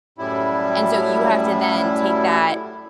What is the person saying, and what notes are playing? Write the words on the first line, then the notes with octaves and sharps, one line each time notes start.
and so you have to then take that
F#2 A2 G3 E4